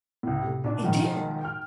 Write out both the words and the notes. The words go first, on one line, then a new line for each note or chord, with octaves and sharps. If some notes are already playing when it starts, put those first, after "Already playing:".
It did!
C#2 A2
C3 A3
B1 D4
B1 G#2 D#3 F3
G5 F6